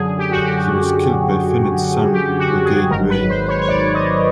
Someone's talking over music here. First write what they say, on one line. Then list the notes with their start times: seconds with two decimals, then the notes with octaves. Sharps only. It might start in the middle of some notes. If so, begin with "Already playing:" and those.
He was killed by Finnat's son Lugaid Luaigne.
Already playing: F#2 D3 F#3 G#4
0.19 G4
0.31 F#4
0.44 G4
2.13 G4
2.39 F#4
2.65 G#4
2.90 G#1 G#2 D#3 F#3 A#4
3.10 B4
3.30 C5
3.45 C5
3.48 C#5
3.62 C#5
3.69 D5
3.94 D#5